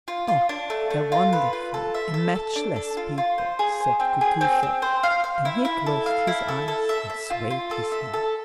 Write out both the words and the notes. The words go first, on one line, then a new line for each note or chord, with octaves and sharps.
"Ah... a wonderful, a matchless people!" said Kutuzov; and he closed his eyes and swayed his head.
F4
F4
D4
A3
A3
F4
B4
F4
A4
E5
A4
A4
D4
A4
F4
F4
C5
G#4
C5
C4
G#4
C4
C4
C5
F5
F5
E4
E4
A4
F5
E4
A4
A4
E5
E5
F4
F4
A4
E5
A4